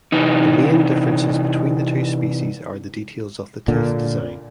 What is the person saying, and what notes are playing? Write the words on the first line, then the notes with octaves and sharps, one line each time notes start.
The main differences between the two species are the details of the tooth design.
C3 E3 D#4
A#2 D3